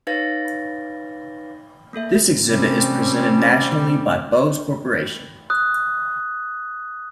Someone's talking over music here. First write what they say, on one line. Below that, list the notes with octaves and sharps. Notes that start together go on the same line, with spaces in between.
This exhibit is presented nationally by Bose Corporation.
D#4 B4 C#5 F5 A6 A#6
A3 A#3 A4 E5
C3 E3 G3 A3 C4 C#4
D#6 F#6